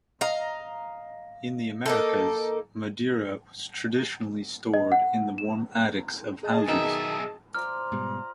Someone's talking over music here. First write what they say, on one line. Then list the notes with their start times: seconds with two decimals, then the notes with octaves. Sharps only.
In the Americas, Madeira was traditionally stored in the warm attics of houses.
0.21 D#5 F5 A#5
1.86 A#3 D#4 A4
4.74 D#5
4.92 F#5
5.38 E7
6.43 G#4 D#5 A5
6.68 B1 B2 D#3 D#4 E5
7.55 F4 C5 D5 A#5 F6
7.92 G#2 B2 G3